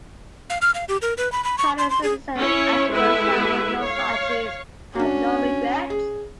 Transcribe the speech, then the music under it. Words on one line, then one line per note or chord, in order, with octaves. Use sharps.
Patterson said afterwards, I have no apologies, and I have no regrets.
F5
F6
F5
G4
A#4
B4
B5
B5
C#6
C6
C6
G#4
C#4 E4 C#5
G#3 E4 G4 A4 B4 E5
C#5 F5
C#4 D4 F#4
G#4